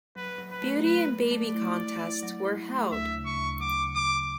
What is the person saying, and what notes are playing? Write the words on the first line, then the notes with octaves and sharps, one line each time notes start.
Beauty and baby contests were held.
F#3 B4
F#3
B4
A3
F#3 B4
F#3
D5
A3
E4
E4
E4
F#3
E4
A3
D2 E5
C#3
C#6
D2
F#3 D6
C#3
D6
C#3